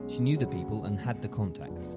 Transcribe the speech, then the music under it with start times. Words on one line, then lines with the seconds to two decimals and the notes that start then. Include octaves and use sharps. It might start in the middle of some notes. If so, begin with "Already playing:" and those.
She knew the people and "had the contacts".
Already playing: B1 B2 G#3 C#4
0.36 D2 C#3 F#3 C#4 F#4
1.02 C#2 B2 G#3
1.66 F1 F2 F3 B3 D4